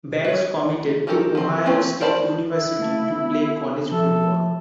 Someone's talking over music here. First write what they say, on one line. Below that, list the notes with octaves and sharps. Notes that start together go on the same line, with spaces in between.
Banks committed to Ohio State University to play college football.
B4 C#5
C#4 D#4 G4 A4 A#4
F3 C4
A3 A#3 C4 C#4 F4
A#4 C5 D5 A5 B5
E4
A3 F5 A5
B3
F3 F#4 A4 E5